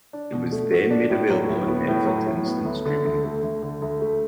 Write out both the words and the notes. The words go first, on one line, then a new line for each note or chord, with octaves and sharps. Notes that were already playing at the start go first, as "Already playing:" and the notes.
It was then made available on Netflix Instant Streaming.
D4
B2
A3
F#4
D4
A2
F#3
A2
B3
A2
F#3
A2
B3
D2
D3
D2
A3
D2
D3
D2
A3